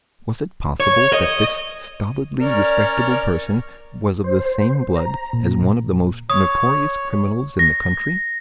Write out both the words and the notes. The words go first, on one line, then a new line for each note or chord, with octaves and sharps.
Was it possible that this stolidly respectable person was of the same blood as one of the most notorious criminals in the country?
C#5
D#5
C#4 A#4 D5
C5
A#5
A#2
C#5 D#6
A#6